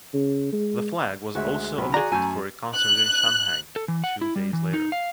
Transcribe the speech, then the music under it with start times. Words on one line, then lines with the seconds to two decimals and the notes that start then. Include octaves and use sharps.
The flag was also omitted for a concert in Shanghai two days later.
0.14 C#3
0.52 G#3
1.35 D2 G#3 F#4 E5
1.78 B1 B5
1.94 F#4 G#4 D5 A#5
2.12 F#2 A3 G#5
2.75 F#6
3.76 A4
3.88 E3
4.04 F#5
4.21 E4
4.36 G3
4.53 E3
4.73 D#4
4.92 F5